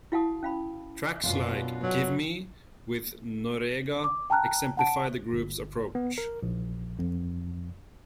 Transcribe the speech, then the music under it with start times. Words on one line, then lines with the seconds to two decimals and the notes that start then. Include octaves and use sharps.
Tracks like "Give Me", with Noreaga exemplify the group's approach.
0.12 E4 F#4 F5 F#5 A5 D#6
0.43 C#4 F5 B5
1.23 F#2 B2 D4 F4
1.83 F#3
4.04 D6
4.30 G5 A5 A#5 F6 F#6
4.77 F#5 A5 D7
5.33 G1
5.95 B3
6.18 A#4
6.43 A#1
6.99 F2